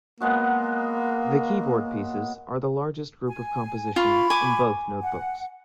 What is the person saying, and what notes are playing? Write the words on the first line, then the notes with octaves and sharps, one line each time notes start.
The keyboard pieces are the largest group of compositions in both Notebooks.
F#3 G#3 A#3 B3
G#5
F4 B5 C#6
G#5 D6
F#5